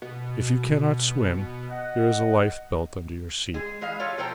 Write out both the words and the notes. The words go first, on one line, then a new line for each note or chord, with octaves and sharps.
"If you cannot swim there is a life belt under your seat."
B2
D#5 F#5
G#3 G#4
E3 G#3 D#5 F5
F4 G4 A4 C#5
B2 F3 A4 C5 G5 A#5